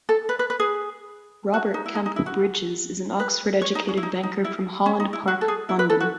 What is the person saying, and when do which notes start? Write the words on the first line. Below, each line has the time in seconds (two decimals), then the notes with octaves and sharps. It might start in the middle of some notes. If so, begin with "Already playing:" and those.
Robert Kempe Brydges is an Oxford-educated banker from Holland Park, London.
0.09 A4
0.29 B4
0.39 B4
0.50 B4
0.60 G#4
1.54 F#4
1.74 D#4
1.86 E4
1.95 D#4
2.06 D#4
2.16 E4
2.26 F#4
3.20 B4
3.62 C#5
3.75 D#4
3.88 C#4
3.97 E4
4.03 D#4
4.23 D#4
4.44 E4
4.86 C#4
5.00 D#4
5.13 E4
5.28 F#4
5.41 A4
5.48 G#4
5.69 E4
5.79 B4
5.90 A4
6.00 F#4